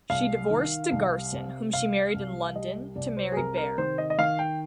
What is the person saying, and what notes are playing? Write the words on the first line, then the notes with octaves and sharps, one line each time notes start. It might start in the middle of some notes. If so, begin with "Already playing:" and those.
She divorced De Garson, whom she married in London, to marry Baer.
C2 F5
D#3
C2
C3
C2 F5
C2
G3 D#5
C2 D5
C5
G#4
C3 A#4
A#4
D#3 C5
D#5
D#5
D#3 F5
G5